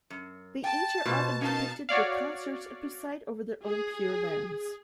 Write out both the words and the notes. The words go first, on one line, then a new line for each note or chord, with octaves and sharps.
They each are often depicted with consorts, and preside over their own pure lands.
F#2
G5 A5
B2 F4 C5
C#4 D#4 A#4 F5 A5
F#4 C#5 D5 F5
G#4